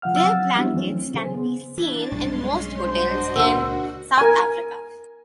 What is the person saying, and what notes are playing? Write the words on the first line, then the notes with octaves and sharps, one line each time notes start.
Their blankets can be seen in most hotels in South Africa.
C#3 F3 F5 F#5 F6
F#3 C4 F#5 E6 F6 A6
F3 G3 B3 D4 E4 F#4
E3 F#3 A3 C4 C#4
C#3 F#3 G#4 C5
B3
E3 D4 A6
B1 G2 G#3 C#4 C6
D4 F#4 C5 D#5
C#2 A#2 F#4 A#4 F#5 E6
A#4 G#5